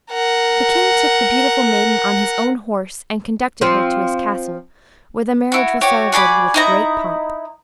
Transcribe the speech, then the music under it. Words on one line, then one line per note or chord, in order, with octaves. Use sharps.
The king took the beautiful maiden on his own horse and conducted her to his castle, where the marriage was celebrated with great pomp.
A#4 F#5
F3 C4
E4 F#4
F#4 G4 C#5
F#4 G#4 D5 B5
D#4 E4 A#5